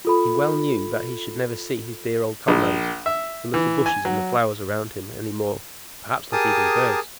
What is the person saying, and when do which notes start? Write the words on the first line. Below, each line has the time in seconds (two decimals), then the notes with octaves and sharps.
He well knew that he should never see his dear old comrades, the little bushes and flowers around him, anymore; perhaps not even the birds!
0.05 F4 A4 B5
2.48 A#1
3.06 E5
3.54 E3
3.86 G#5
4.05 F#3
6.32 G4 G#4 A#4 G#5 A5 D#6